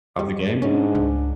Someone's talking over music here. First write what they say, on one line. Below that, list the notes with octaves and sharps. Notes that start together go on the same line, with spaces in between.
of the game?
G3
G#2 C#4 D4
C#2